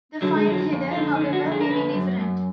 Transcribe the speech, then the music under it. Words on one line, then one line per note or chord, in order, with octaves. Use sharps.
The file header, however, may be different.
D3 F#3
G#3
F2 F#3
F2
F4
D3 D#4
D#4
D3
F#4
F2
G#4
A#4
D3 B4
F#2
F#2